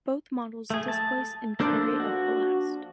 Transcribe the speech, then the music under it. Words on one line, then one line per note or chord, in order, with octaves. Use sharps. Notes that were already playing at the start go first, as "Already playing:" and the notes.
Both models displace and carry of ballast.
A3 G#4
A5
F3 A#3 D4 A4 C5
F#4